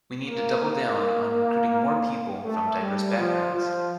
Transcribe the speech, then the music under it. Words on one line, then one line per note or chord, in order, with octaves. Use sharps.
We need to double-down on recruiting more people from diverse backgrounds.
A#3
A3
G3
F3
F3